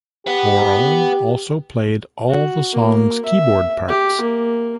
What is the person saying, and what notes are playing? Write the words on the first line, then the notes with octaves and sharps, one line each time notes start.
Worrell also played all the song's keyboard parts.
G4 B4 F#5
F#4
A#3
E5
G4
A#3